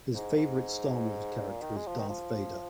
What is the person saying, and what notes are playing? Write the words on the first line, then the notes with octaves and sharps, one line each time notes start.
His favorite Star Wars character is Darth Vader.
G#2
G#2
A#2
D#3
G#3
F3
D#3
F3